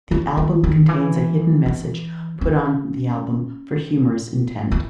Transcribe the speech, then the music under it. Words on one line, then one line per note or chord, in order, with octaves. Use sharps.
The album contains a hidden message put on the album for humorous intent.
C#3
D#3
D#3
E3
E3
C#4
E4